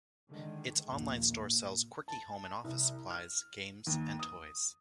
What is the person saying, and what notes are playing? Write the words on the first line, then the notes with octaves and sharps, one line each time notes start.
Its online store sells quirky home and office supplies, games and toys.
D3 D#3 G#3
A#1 D#2 A#3
A#2
A5
C2
F6
D#2
D#6